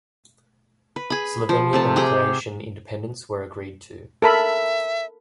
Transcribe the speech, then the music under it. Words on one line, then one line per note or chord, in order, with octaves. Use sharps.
Slovenian and Croatian independence were agreed to.
B4
G#4 B5
F3
C3 A3 A5
G4 G#4 F#5 G5
A4 A#4 E5 B5